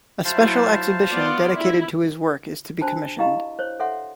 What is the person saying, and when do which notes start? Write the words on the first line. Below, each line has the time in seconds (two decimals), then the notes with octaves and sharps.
A special exhibition dedicated to his work is to be commissioned.
0.25 F#3 E4 C5 F5 A5
1.11 B3 F4 D5
1.55 E4
2.81 D4 F#4 C5 A5 B5
3.19 E4 G4 D#5 F5 A#5 B5
3.59 C5 C#5
3.80 A4 C#5 E5 F#5 C6